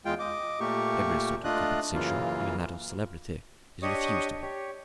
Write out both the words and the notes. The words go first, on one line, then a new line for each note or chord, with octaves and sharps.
Every sort of compensation, even that of celebrity, is refused to him.
E2 G#3 F4 G5
D#5 D6
A#2 A3 A#3 G4 C#6
A3 D4 F4 D#5 F#6
F#2 C#3 E3 A#3 F4
D4 G4 C#5 D#5 C#6 D#6
G4 C#5